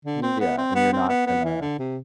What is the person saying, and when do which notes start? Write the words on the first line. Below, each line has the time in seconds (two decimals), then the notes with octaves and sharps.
Yeah, and you're not gonna
0.05 D3
0.23 C4
0.40 B3
0.58 C4
0.75 B3
0.93 C4
1.09 B3
1.27 B3
1.45 E3
1.61 D3
1.79 C3